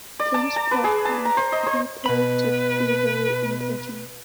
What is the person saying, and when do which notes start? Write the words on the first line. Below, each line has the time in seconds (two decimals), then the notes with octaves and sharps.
GameSpot found the gameplay to be very engaging.
0.20 D5
0.34 A5
0.56 A5
0.71 B4
0.84 G#4
1.05 A5
1.25 A#5
1.37 C5
1.52 D#5
1.66 C5
2.06 B2 B4 B5